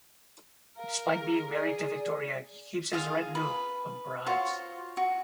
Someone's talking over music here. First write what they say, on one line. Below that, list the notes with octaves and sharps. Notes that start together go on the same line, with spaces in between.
Despite being married to Victoria he keeps his retinue of Brides.
A#4 F5
G#4
G#4 D5
F4 G#4 F5
B4 B5
F4 F#4 C5 C#5
F#4